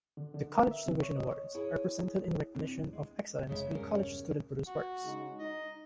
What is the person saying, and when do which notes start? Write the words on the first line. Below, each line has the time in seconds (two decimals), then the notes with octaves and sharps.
The College Television Awards are presented in recognition of excellence in college student-produced works.
0.17 D3
0.34 D3
0.52 A#4
0.71 E5
0.86 C3
1.02 C#5
1.16 D#5
1.29 C#5
1.55 E4 G#4 C#5
2.55 D#1 C4 D4
2.93 G#3
3.49 F1 C#3 G#3 E5
3.72 E1 G2 C#3 C#4 A#4
4.67 F#4
5.04 C#3 G#3 D#4
5.39 D#4 D#5